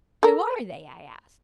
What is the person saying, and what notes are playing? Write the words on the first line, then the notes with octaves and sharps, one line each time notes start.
"Who are they?" I asked.
A4 A#4